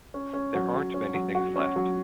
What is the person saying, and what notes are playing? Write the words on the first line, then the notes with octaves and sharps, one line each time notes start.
There aren't many things left.
C#4
C#4
F#3
F#3
C#4
F#3
F#4
C#4
F#3